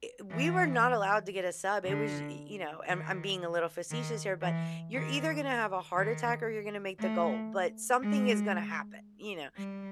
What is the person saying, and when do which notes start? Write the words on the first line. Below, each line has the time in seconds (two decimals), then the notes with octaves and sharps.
eh, we were not allowed to get a sub. It was y you know and I'm I'm being a little facetious here, but you're either gonna have a heart attack or you're gonna make the goal. But something is gonna happen, you know?
0.30 E3
1.85 D3
2.88 D#3
3.91 D#3
4.42 E3
4.94 D#3
5.97 D#3
6.99 A3
8.02 G#3
9.56 G3